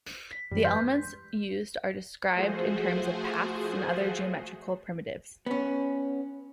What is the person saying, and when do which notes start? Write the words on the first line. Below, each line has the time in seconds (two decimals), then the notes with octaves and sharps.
The elements used are described in terms of paths and other geometrical primitives.
0.33 B6
0.51 F#2 E3 G3 G#3
0.65 B4 C6 F6 G6
2.34 F3 A3 F#4 G#4 C5
5.46 B3 C#4